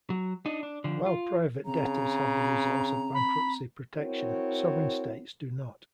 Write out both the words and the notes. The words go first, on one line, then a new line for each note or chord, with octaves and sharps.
While private debtors have the resource of bankruptcy protection, sovereign states do not.
F#3
D4 D#4
D4
D3 F3
F4
C#3 C4 A#5
B5
C4 E4 F#4 A#4 C#5